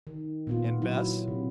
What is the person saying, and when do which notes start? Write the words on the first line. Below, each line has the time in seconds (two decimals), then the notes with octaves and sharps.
And Bess?
0.07 D#3
0.47 A#2 B3 F4
0.82 F#3 E4
1.28 C3